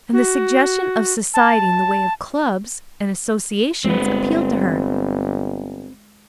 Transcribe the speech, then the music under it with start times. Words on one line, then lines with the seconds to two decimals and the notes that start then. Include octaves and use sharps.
And the suggestion of society in the way of clubs and associations appealed to her.
0.13 F#4
1.34 A5
3.85 G1 G#3 C4 B4